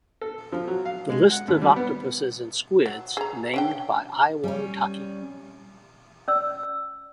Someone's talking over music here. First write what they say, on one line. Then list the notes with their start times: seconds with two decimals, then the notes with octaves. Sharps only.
The list of octopuses and squids named by Iwao Taki.
0.21 A4
0.52 F3
0.68 F#3
0.85 F5
1.10 G#3
1.31 F#5
1.48 D#2
1.62 G3
1.76 B3
2.86 F#3
3.17 G#4 A#5
3.54 C#4 D4 G5
4.44 G3 C#4
6.28 C#4 D5 E6